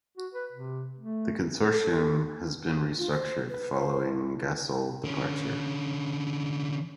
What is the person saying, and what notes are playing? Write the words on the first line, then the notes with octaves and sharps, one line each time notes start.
The consortium has been restructured following Gasol departure.
F#4
B4
C3
A3
A4
F4
C5
B4
C5
D3 C#4